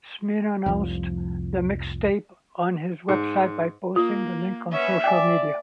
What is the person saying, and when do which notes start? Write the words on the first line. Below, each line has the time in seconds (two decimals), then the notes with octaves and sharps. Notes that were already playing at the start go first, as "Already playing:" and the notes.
Smino announced the mixtape on his website by posting the link on social media.
0.66 F1 C2 F3
3.09 G#2
3.96 A#3 F4
4.72 B3 C#4 E5
5.04 D5 G5 G#5